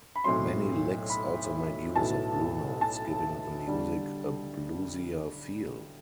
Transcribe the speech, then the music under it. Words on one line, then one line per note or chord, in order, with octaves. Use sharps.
Many licks also make use of blue notes, giving the music a bluesier feel.
B5
B1 A2 F#3 C4 C6
B5
B1 A2 F#3 B3 E4 A5
A5
D3 G3